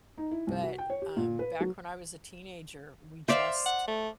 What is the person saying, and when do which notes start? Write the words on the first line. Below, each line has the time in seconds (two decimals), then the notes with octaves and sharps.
But, um, back when I was a teenager, we just,
0.18 D#4
0.31 E4
0.47 C2
0.63 F#4
0.78 G5
0.90 C#5
1.02 G4
1.17 A#2
1.39 B4
1.60 F#3
3.28 C5 D5 E5 F5
3.65 F#5
3.88 A3